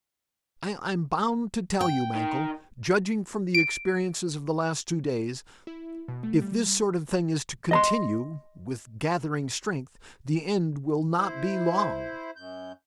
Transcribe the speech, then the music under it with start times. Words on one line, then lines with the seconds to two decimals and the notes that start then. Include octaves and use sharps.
"I am bound to tell you, Mankell, judging from the experiences of the last two days, if this sort of thing is to continue--with gathering strength!--the end will not be long."
1.81 G5
2.15 D#3
3.55 D7
5.67 E4
6.08 B2
6.23 A3
6.42 G3
7.71 D#5 A#5 C6
11.18 E4 C5
12.36 F#2 G6